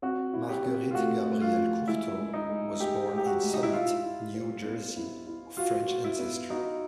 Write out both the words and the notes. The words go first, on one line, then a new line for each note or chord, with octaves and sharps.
Marguerite Gabrielle Courtot was born in Summit, New Jersey of French ancestry.
C4 F#4
E4
G4
C4
F4
A3 F#4
A3
F4
F3
G#3 E4
G#3
D#4
G#3
G#3 G4
G#3
G4
F#4
G#3
D#4
E4
E4 F4
E4
C5
B3
E4
E4
F4 F#4
F#4
E4
B3
D#4 F#4